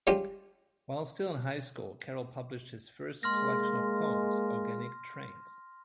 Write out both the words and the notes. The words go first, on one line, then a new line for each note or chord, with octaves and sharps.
While still in high school, Carroll published his first collection of poems, Organic Trains.
G3 G#3 C#4 D4 F4 G4
G#3 A#3 C6 F6 A#6